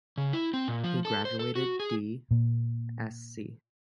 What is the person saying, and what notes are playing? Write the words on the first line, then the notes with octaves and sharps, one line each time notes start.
He graduated D. Sc.
C#3
E4
C4
A#2
F3
A4
C5
A4
F#4
G#4
A#2 A#3